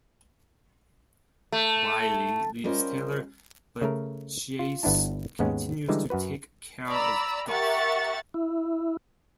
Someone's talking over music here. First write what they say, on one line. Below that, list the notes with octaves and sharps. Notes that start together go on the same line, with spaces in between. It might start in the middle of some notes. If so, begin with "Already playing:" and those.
Wylie leaves Taylor, but Jase continues to take care of Duff.
A3
G3 C#4 F4 A#4 C5 D#5
C#3 A3 A#4
F4
G1 B3 D4 E4 A5
D#2 G#2 G#3 B3 C#4
D3 E3 G3 G#3 D#4
F#2 F#4 B4
D5 A#5 B5 E6
G4 A#4 E5 F#5 C#6 A6
E4